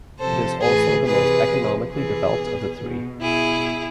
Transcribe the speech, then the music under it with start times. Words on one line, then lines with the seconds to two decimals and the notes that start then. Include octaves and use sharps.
It is also the most economically developed of the three.
0.19 C3 F3 A4 C5
0.62 A2 E3 G#4 B4
1.05 C3 E3 G#4 B4
1.49 C3 F3
1.91 C3 E3 G#4 B4
2.35 B2
2.77 B2
3.21 B2 E4 G#4